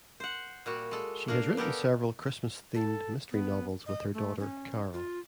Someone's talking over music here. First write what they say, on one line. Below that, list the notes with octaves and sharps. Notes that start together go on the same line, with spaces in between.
She has written several Christmas-themed mystery novels with her daughter, Carol.
C5 F#5
A#2 G3 F#4
G#3 A4
A#3 D4 A#4 F5
B3 G4 A4 A#4
A4
B3
D#5
A3
C#4
F4